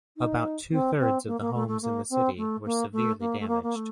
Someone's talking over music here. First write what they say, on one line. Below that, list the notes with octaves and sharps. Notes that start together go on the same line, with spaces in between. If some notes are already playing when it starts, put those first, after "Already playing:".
About two thirds of the homes in the city were severely damaged.
D#4
C4
C4
A#3
A#3
A3
A3
A#3
C4
A3
A#3
A3
A#3
A3
A#3
A#3
A3